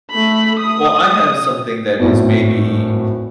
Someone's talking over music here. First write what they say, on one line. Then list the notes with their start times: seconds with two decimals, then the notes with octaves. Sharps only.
Well, I have something that is maybe,
0.12 A3 B5
0.59 D#6
1.99 G#1 E2 A2